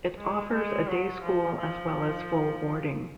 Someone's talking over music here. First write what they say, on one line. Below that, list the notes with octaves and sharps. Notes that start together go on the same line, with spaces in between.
It offers a day school as well as full boarding.
G#3
G#3
F#3
F3
F3